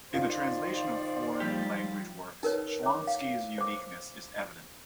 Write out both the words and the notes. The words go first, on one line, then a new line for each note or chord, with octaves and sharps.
In the translation of foreign-language works, Shlonsky's uniqueness is evident.
D#3 F4 C5 D5
F3 G3 G4
D#4 A#4 B4 C#5
C#5 D6
F5
C5 D6